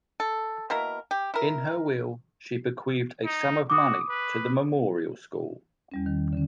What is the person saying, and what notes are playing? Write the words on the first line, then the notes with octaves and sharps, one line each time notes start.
In her will, she bequeathed a sum of money to the Memorial School.
A4
B2 A#3 E4 A#4
G4
E4 A#4
D#4
F#4 D6 D#6
B4
E2 G3 C#4
D#3
D3 D#3 C#4